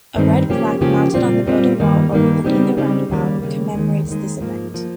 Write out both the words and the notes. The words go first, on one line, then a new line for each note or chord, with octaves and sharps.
A red plaque mounted on a building wall overlooking the roundabout, commemorates this event.
G2 D#3 G3 C4 D#4
C#3 F3 A#3 C#4 G4
C#3 F3 A#3 C#4 G4
A#2 G3 C4 F4
A#2 G3 C4 F4
G2 D#3 G3 A#3 D#4
G2 D#3 G3 A#3 D#4
C#3 G3 C4 D#4 G4
C#3 G3 C4 D#4 G4
D#2 C#3 G3 A#3
D#2 C#3 G3 A#3
D#2 D#3 G#3
D#2 D#3 G#3
G#2 F3 A#3
F3 A#3